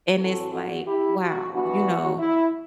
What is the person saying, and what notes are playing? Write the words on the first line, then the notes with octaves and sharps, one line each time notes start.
and it's like, "Wow," you know,
A2 E3 A3 C4 F#4 A4
F#4
E4 G4
F#4
G2 E3 B3 D4 F#4
E4